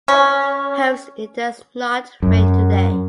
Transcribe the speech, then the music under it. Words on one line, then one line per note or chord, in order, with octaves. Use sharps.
Hopes it does not rain today.
C#4
F#2